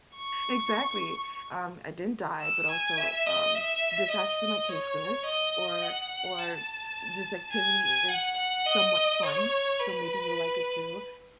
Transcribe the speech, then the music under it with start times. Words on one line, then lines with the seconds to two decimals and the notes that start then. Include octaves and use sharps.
exactly, um, I didn't die, but, also, um, this actually might taste good or or this activity is somewhat fun, so maybe you'll like it too.
0.14 C#6
2.41 E6
2.70 G#5
2.98 E5
3.26 D#5
3.55 E5
4.11 D#5
4.68 C#5
5.25 D#5
5.82 F#5
6.39 A5
7.52 G#5
8.09 F#5
8.37 F#5
8.66 D#5
9.23 C#5
9.79 B4